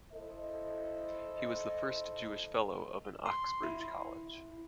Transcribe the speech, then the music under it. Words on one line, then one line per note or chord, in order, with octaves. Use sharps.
He was the first Jewish fellow of an Oxbridge college.
E4 A4 C5 D#5
C6
E4